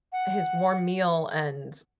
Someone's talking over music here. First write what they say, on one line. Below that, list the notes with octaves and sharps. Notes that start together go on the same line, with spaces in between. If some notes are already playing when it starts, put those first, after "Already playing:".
his warm meal and
F#5